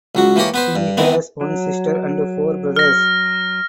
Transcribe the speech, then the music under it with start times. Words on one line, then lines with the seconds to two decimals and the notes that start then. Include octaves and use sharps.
She has one sister and four brothers.
0.15 C#2 F#3 F#4
0.36 E3 A#3 G4 A#4 C#5
0.54 B3 B4 C5
0.76 G2
0.97 D#3 E3 B3 C4
1.41 F#3
2.76 F6 A#6